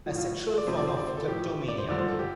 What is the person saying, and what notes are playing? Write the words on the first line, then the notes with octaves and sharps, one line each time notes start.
A sexual form of kleptomania.
A2 F3
F4
D5
F2 C3 F3 C5
D5
C5
D5
C5
A4
A2 F3 G4
D5
C5
G2 D3 F3 D5
C5
A4
G4